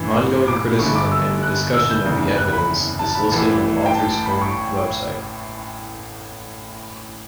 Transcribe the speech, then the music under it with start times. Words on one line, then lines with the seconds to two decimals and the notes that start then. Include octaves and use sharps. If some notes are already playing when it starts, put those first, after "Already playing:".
Ongoing criticism and discussion of the evidence is listed on the authors' own website.
Already playing: A1 G2 E3
0.48 D6
0.79 G1 G2 D3 C#6
0.96 D6
1.12 E6
1.43 F#6
1.74 E6
1.90 G6
2.05 F#1 E2 C#3
2.38 F#6
2.53 B5
2.99 A5
3.15 B5
3.31 A1 A2 E3
3.86 G5
3.95 A5
4.26 B5
4.41 C#6